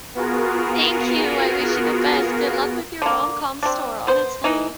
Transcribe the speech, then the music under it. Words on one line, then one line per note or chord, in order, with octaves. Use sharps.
Thank you, I wish you the best. Good luck with your rom-com store, honestly.
B3 F4 F#4 G#4 A#4
D3 A#3
C4 D4
B3 C5
E3 D#4